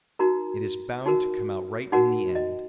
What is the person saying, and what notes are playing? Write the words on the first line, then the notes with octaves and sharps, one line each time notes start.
"It is bound to come out right in the end."
D#4 F#4 A#4 A#5
D#4 F#4 A#4
D#4 F#4 A#4 F#5
D#5